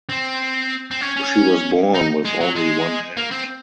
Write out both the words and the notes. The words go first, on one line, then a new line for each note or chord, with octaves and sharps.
She was born with only one hand.
C4
C4
C#4
C#4
D#4
G#3
F#3
G#3
A#3
C4